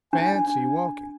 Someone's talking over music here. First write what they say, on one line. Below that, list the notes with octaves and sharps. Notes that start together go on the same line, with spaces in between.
Fancy walking!
D4 G#5